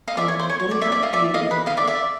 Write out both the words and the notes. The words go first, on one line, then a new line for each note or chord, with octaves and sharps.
Um, what about you with it?
D#5 F5
D5 E5
C#5
C5
C#5
C#5
D5
D5 E5
D5 E5
D#5 F5
D5 E5
D#5 F5
B4
D#5 F5
D5 E5
D5 E5